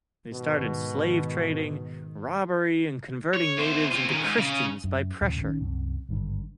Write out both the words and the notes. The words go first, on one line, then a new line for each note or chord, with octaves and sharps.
They started slave trading, robbery and converting natives into Christians by pressure.
G#2 B2 D#3
C#5
E2 C5
C4 F4
D#3 C#4
G#2
C#3
F#2
D#2 A2 C#3 F3
A1 D#3 C#4
C2 F#2 C4
G#1 G2 D3